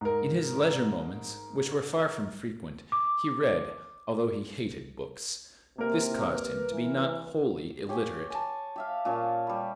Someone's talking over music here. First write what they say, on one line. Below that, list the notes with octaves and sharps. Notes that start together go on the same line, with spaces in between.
In his leisure moments, which were far from frequent, he read, although he hated books; this caused him to be not wholly illiterate.
G#2 A#4
D6
C3 A#3 A#4 A#5
B4
E3
G4 C#5 G5 G#5
G#5 A5
G4 E5 F5
A#2 C#4 G#5 A5
G3 B4